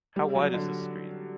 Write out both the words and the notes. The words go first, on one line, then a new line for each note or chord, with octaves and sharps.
How wide is this street?
G3
F#3
D3